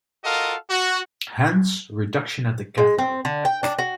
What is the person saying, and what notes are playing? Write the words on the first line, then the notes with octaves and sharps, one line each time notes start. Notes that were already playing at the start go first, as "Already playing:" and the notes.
Hence, reduction at the cathode.
F4 F#4 A4 A#4 D#5 F5
F#4
G#3
C4
D3
G5
D4
F#4